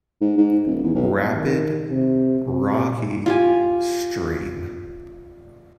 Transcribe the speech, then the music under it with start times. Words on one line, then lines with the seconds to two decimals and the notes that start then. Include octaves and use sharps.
Rapid Rocky Stream.
0.21 G#2
0.38 G#2
0.66 D#1
0.83 E2
0.95 B1
1.34 D#3
1.90 C3
2.47 C3
3.26 F4 G4 G#5